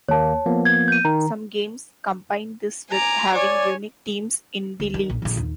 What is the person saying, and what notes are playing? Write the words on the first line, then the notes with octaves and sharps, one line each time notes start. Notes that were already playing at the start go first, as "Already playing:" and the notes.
Some games combine this with having unique teams in the leagues.
D#2 A#3 C#5 A5
F3 A#3 B3
G#6
G6 D#7
D#3 A#5
G#5 A#5 D6
C#5 D5 G#5
D2
D#3
A#1
A#1 D3
D#2